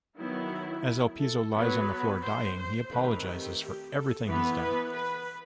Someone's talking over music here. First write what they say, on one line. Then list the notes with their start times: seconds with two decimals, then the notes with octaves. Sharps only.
As Elpizo lies on the floor dying, he apologizes for everything he's done.
0.18 D#3 F#3 B3 E4
1.20 A4
1.54 F#3 B3 B4
2.23 C5
2.56 C5
2.90 D#3 A3 C4 B4
3.24 G4
3.58 G4
3.92 A4
4.26 E3 B3 B4
4.60 B4
4.94 B4